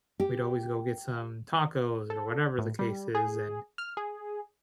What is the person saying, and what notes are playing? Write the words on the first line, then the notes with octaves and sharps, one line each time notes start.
we'd always go get some tacos, or whatever the case is, and,
G4
A4
A2
G3
G#4
F6
G#4